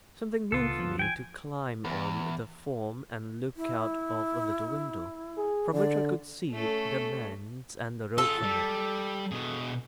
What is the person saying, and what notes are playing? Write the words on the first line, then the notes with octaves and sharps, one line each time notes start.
Something moved me to climb on the form and look out of a little window, from which I could see the manse and the road from it.
C#2 A#2 B3 F4 A4
D2 F3
G5 G#5
E2
E4
G#4
D3 D5
A3 C#4 A4
F4 G#4 A4
G3
B2 G#4